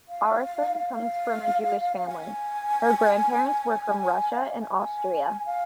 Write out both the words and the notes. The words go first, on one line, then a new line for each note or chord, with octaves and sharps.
Aronson comes from a Jewish family; her grandparents were from Russia and Austria.
F5
F5
G#5
F5
G#5
G#5
F5